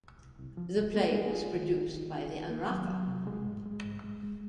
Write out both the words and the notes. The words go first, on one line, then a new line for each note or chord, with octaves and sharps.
The play was produced by The Araca Group.
C2
C2
F3
C2
A#3
G#4
F4
D#3
D#4
D#3
D#4
D#3
A#3
F#3
F#3
C3
G#3
G#2
G#3
G#2
G#3
G#3